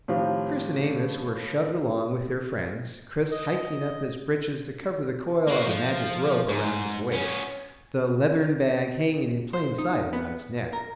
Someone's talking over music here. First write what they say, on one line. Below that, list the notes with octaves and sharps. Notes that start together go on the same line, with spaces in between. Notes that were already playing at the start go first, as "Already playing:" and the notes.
Chris and Amos were shoved along with their friends, Chris hiking up his breeches to cover the coil of the magic rope around his waist; the leathern bag hanging in plain sight about his neck.
A2 D#3 F3 C4 F4 G4
D#5
A#3 F#4
F3
G#2
B3 C#4
C5
D#4
B3
A#4